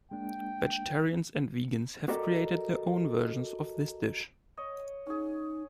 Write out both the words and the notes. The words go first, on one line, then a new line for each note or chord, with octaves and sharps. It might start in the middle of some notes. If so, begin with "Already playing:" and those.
Vegetarians and vegans have created their own versions of this dish.
G#3 A#3 D4 G5
F#4 G4 A4 A#4 D5 D#5
C#5 D#5
C#4 D#4 G#4